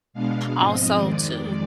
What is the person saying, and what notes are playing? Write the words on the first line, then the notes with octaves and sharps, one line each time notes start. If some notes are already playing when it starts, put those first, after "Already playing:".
also too
B2 G#3 B3 D4 F5
G#2 F3 C4 D#5
F2 D#3 G#3 D5